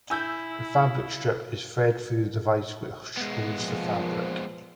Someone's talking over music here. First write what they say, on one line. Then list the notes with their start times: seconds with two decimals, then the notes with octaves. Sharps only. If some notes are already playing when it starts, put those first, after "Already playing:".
The fabric strip is fed through the device, which folds the fabric.
0.10 E4 G#5 E6 G6
3.17 G#3 B3
3.60 A#2 F3